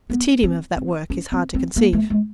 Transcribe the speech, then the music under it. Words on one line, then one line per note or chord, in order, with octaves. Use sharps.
The tedium of that work is hard to conceive.
B3
C4
C4
C#4
C4
C4
A#3
A3
G#3